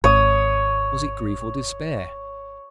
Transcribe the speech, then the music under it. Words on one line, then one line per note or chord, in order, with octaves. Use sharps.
Was it grief or despair?
G#1 C#5 D#6